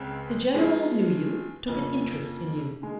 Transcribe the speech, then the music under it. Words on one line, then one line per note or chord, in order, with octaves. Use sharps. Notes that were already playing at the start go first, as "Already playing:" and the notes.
The General knew you, took an interest in you.
Already playing: C#2 C#3 G#3 C4
G2 F3 G#3
F2 C#3 F3 A#3
D#3 G#3